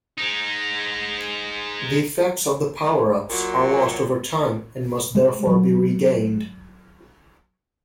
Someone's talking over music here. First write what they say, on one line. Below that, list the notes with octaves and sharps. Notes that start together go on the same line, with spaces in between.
The effects of the power-ups are lost over time and must therefore be regained.
G#3 D#4
A#2 F#3
G#3
F#3